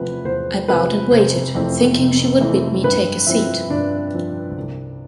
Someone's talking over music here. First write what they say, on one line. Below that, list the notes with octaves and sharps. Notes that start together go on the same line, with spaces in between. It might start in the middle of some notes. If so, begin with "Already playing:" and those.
I bowed and waited, thinking she would bid me take a seat.
Already playing: E2 C3 F3 A3 B4
E2 C5
C3 F3 A3 B4
F1 C5
F2 E3 A3 C4
F1
F2 E3 A3 C4
G2 B4
F3 C4 E4
G2 D4
F3 C4
C2